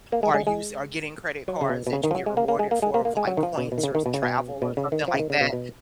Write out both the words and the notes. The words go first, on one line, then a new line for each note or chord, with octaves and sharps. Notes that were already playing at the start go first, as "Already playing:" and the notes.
or use or getting credit cards that you get rewarded for with, like, points or travel or something like that.
A#3
G#3
G#3
G#3
F#3
C#3
B2
B2
C#3
D#3
F3
F#3
G#3
A#3
A#3
G#3
A#3
G#3
A#3
A#3
G#3
F#3
D#3
F3
B2
B2
D#3
C#3
D#3
B2
C#3
B2
B2
C#3
D#3
F3
C#3
D#3
C#3
B2
B2